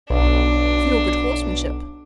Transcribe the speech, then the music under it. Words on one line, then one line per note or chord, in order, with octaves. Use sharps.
"For your good horsemanship."
B1 D4